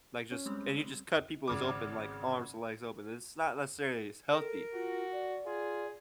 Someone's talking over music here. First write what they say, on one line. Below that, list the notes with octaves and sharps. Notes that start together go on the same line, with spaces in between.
Like, just and you just cut peoples open like, arms and legs open, it's not, necessarily as healthy.
C#4
G3 G#3 C4
G#1 C#3 D6
A4 A#4
F4 F#4
D5
F4 G#4